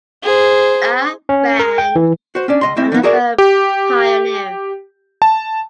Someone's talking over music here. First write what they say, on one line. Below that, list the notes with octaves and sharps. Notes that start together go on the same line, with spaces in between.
A. Rand, another pioneer.
G#4 C5
C#4
A#4
G5
E3
F#4 C5
C#4 D4 D5
C#2 D#5 C6
A3 C4 E4 D#5
D3 F3 B3 D#4
F#4 G#4 A#4 D5 E5
G4
A5